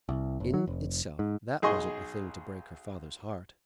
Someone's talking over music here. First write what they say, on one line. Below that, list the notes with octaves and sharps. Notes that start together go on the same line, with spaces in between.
In itself that wasn't a thing to break her father's heart.
C2
F#1
F#3
F1
G#2
B1 G#4 D#5 G#5 C6 C#6